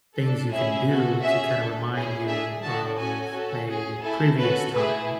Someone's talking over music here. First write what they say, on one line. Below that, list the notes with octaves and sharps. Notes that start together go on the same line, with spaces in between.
things you can do to kinda remind you of a previous time
D4 A4
C#4 E4 G#4 E5
B3 F#4 A4
C#4 G#4 E5
D4 A4
C#4 E4 G#4
D4 G#4 E5
D4 F#4 A4 A5
C#4 F#4 A4 G#5
C#4 F#4 A4
C#4 G#4
A3 E4 A4 G#5
C#4 F#4 A4 B4
A3 E4 G#4 B4